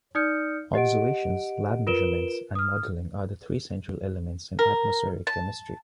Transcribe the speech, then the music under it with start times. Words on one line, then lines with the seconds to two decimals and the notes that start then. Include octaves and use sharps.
Observations, lab measurements, and modeling are the three central elements in atmospheric chemistry.
0.15 D#4 D5 D#6 F6 G6 C#7
0.74 G4 D#5 F#5 D7
1.87 F4 A#4 B4 D7 E7 G7
2.55 D#6 F6
4.59 A#4
5.27 A5